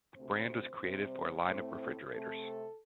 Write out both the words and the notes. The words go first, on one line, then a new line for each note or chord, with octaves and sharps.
The brand was created for a line of refrigerators.
D2 C3 A3 C4 C5
C3 G3 C4
A2 A3 C4
C3 A3 C4 A4